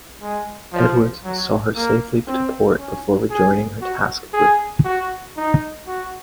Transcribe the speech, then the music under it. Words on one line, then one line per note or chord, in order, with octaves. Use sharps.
"Edwards" saw her safely to port before rejoining her task group.
G#3
F3
F#3
A#3
C4
C#4
G#4
F#4
G#4
F#4
D#4
F#4